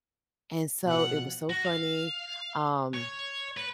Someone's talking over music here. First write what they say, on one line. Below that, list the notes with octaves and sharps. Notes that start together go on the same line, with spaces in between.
And so it was so funny, um,
B2 F3 F#5 F#6
F#4
F5
C#5
B4